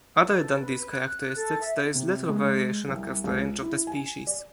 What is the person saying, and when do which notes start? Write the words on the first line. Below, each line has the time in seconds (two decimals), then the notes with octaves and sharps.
Other than these characteristics, there is little variation across the range of the species.
0.24 A4
0.61 B4
0.89 F#6
1.36 A4
1.60 E5
1.94 C3
2.29 G#3
2.88 C2
3.24 C#2
3.62 E4
3.87 G#5
4.27 D5